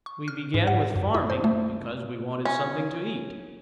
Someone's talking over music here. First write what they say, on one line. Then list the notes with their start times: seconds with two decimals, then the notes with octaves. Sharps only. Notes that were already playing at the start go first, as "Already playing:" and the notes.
We began with farming, because we wanted something to eat.
0.06 C#6
0.28 F6
0.54 G#2
0.67 F#5
0.96 F#2
1.14 E4
1.30 C5
1.44 A3
2.45 C#4